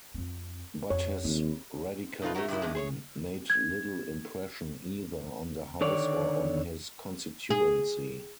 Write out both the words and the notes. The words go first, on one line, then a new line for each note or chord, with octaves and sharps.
But his Radicalism made little impression either on the house or on his constituency.
F2 C4
F2 C#5
D#2 C4
B2 D#4 F4 B4
A3 C#4 F#4 A#4
G2 A#2 G#3 E4
E2 G2 G#3
G#4 C5 C#5
G#6
D3 D#3 C#5 D5
G#4